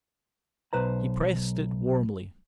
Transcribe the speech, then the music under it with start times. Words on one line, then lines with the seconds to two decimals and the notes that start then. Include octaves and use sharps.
He pressed it warmly.
0.73 B1 B4 C5 A#5